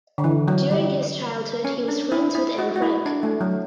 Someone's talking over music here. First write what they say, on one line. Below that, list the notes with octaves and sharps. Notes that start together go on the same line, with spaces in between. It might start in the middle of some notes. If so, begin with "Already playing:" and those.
During his childhood he was friends with Anne Frank.
D3
E3
F#3
G3
C#4
D4
E4
E4
F#4
F#4
E4
D4
A3
F#3